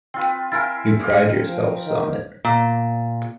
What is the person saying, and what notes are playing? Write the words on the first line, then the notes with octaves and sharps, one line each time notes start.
You pride yourselves on it.
C4 F4 B4 G5
E4 A#4 C5 G#5 F6 A6
F5 G5
F3
D#3
A#2